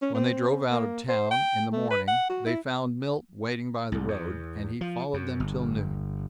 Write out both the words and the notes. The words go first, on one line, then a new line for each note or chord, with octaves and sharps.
When they drove out of town, in the morning, they found Milt waiting by the road, and he followed them till noon.
C#4
C4
A#3
C5
G5
A3
B4
F#5
F#4
E4
C2
E2
F3
F#2
G1